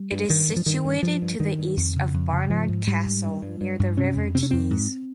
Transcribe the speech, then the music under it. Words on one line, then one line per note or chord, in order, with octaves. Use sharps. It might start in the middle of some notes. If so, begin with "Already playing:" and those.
It is situated to the east of Barnard Castle near the River Tees.
Already playing: G3
G2
G2 D#3
G2
F3
G2 D#3
G2
G2 F3
G2
G2 D#3
G2
F2
C#3
F2
C#3
G#2 F3
G#2
G#2 G3
G#2
G2
G2
G2
G2
C3 C#4
F2
C3 C4
C#4
F2 C4
G#2